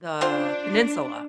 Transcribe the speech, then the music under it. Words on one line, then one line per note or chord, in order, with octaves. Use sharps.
the Peninsula
C4 D4 F4 C5